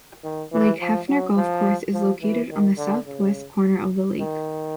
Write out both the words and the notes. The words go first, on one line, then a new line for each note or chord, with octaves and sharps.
Lake Hefner Golf Course is located on the southwest corner of the lake.
D#3
E3
F3
F#3
F3
F3
E3
D#3
D3
C#3
D#3